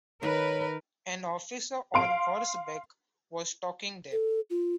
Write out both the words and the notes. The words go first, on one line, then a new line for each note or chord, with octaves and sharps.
An officer on horseback was talking there.
D#3 A#4 B4 C#5
F5 C6 D7
A4
F4